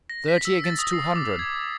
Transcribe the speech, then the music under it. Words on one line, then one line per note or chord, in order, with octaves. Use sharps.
Thirty against two hundred!
A#6
B6
E6
A6
D#6
C7
D6
G#6